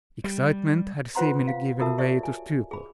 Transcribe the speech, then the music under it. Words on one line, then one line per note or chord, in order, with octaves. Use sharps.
Excitement had seemingly given way to stupor.
G3
F4 B4 C5 F#5 A#5 C6
F5
F4 F#4 A4 A#4 E5 A5
G4 C#5 D5 E5
G#5
G#4 B5